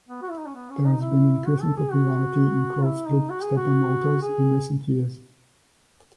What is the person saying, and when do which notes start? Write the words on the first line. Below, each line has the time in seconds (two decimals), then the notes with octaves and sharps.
There has been increasing popularity in closed loop stepper motors in recent years.
0.09 B3
0.22 F#4
0.30 E4
0.38 D#4
0.46 C#4
0.54 B3
0.70 C#4
0.86 D#4
1.01 E4
1.46 F#4
1.61 A4
1.77 G#4
1.92 F#4
2.84 E4
3.07 D#4
3.30 F#4
3.43 G#4
3.57 F#4
4.22 G#4